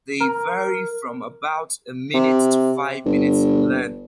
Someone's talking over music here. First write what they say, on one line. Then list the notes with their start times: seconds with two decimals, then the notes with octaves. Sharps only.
They vary from about a minute to five minutes in length.
0.20 A#4
2.14 C3
3.06 G1